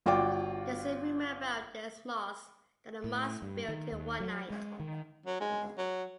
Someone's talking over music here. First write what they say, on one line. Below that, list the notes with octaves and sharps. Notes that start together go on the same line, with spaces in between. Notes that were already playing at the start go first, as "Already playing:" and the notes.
There is a rumour about this mosque that the mosque built in one night.
G1 F4 F#4 D5 G5 D6
A2
G2
D#3
D#2
F#3
G#3
D#3
F#3
G#3
F#3